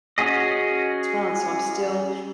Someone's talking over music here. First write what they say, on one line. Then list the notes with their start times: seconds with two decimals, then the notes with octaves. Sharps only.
respond, so I'm still,
0.18 C#4 F#4 G#4 D#5